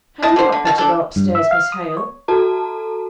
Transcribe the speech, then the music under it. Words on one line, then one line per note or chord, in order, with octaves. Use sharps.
'Had you not better go upstairs, Miss Hale?'
E4 D#5 A5
D3 C5
D3
B2 F4 A5
D4 A4
G2
E5
F5
D#6
C#5
F#4 A4 A5 A#5